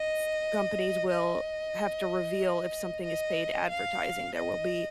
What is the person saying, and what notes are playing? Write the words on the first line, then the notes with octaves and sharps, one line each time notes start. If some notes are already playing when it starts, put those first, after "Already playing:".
s companies will have to reveal if something is paid advertising, there will be
Already playing: D#5
D#5
D#5
F5
D#5